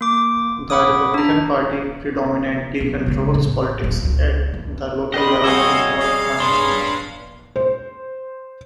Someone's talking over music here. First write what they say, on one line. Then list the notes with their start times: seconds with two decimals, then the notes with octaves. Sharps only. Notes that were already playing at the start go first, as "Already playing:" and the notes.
The Republican Party predominantly controls politics at the local level in Holt County.
0.01 A#3 D6
0.70 F#5 B5 D6 D#6
1.14 D4 A#5
2.80 B1
3.06 C#3 G#3
3.35 A1
3.84 D#1 F2
4.02 C#2 F3
4.54 F2
5.14 D#3 G4 D5 D#5 B5 C6
5.44 G3 C4 F#4 G#4 C#5 E5 F5 G#5
5.99 F5
6.40 D4 B4 C6
7.56 C5